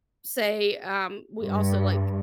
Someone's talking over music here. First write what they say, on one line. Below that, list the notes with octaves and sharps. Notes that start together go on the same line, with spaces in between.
say, um, we also, like
G2